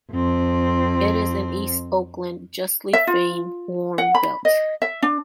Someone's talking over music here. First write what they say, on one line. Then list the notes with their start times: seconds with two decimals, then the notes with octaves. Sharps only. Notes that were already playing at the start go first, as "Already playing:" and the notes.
It is in East Oakland's justly famed 'warm belt'.
0.13 F2 C4
2.93 E5
3.07 F4
3.98 F#5
4.15 B5
4.45 D#5
4.82 E5
5.02 D4